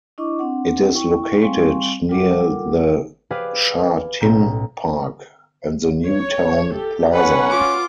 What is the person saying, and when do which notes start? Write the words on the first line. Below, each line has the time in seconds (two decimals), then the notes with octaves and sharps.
It is located near the Sha Tin Park and the New Town Plaza.
0.18 D4 E4 D#5 C#6 D6
0.39 C4 D4 F#5
0.92 E4 G5 C#6
1.42 G3 C4 F5 G#5 C6 C#6
2.09 G3 F4 A4 A#4 F#5 D6
3.30 G4 G#4 B4 D5 F5
4.20 B1 A2 C#4 A#5 G6
6.06 C#5
6.73 G4 A4
7.13 C#4 B4 F#5
7.51 F4 D6